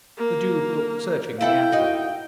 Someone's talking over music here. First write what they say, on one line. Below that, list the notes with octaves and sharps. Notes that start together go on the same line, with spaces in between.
The Duke looked searchingly at her.
A#3
E4 A4 E5 F5 G5
D#4 F#4